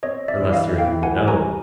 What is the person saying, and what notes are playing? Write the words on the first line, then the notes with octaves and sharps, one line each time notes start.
Unless you're in the know.
C4 C#5 D#5
D5 E5
E3
D#5 F5
E3 F5 G5
F#5 G#5
G3
G#5 A#5